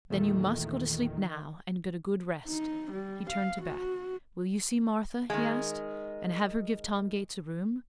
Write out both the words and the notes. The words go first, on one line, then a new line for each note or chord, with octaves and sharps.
"Then you must go to sleep now, and get a good rest." He turned to Beth. "Will you see Martha," he asked, "and have her give Tom Gates a room?"
E2 A#2 D#3 A3
D#4
G3
F5
F#4
D#3 G#3